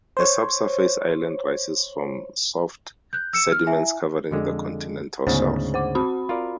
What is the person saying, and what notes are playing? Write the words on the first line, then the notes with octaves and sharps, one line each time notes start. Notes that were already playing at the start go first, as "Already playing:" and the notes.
A subsurface island rises from soft sediments covering the continental shelf.
C5 C#5
F#6 G6
E6 C#7 E7
F6
E4 E5 G#5
F2 D3 G#3
D2 G#2 C#3 B3 C5
C5 F#5 D6
C4 F#4 B5
F4 A#4 D5